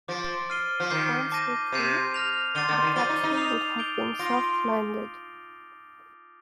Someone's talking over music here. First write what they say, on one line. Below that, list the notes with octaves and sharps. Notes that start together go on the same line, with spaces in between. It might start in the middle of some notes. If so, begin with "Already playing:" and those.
Once retrieved, the capsule would have been soft-landed.
F3 D6 A6 D7
F6 C7 D#7 G7
F3
D#3 D6 G6 C7 G7
A5 D6 G6 A#6 D#7
C3 G6 C7 D#7
F6 A#6 F7
D3 D6 A6 C7 D#7 G7
D3
D#3
F3 D6 A6 D#7 G7
D#4
D#4
D#6 G6 C7 F7
G6 D7 G7
F4 A#6 D7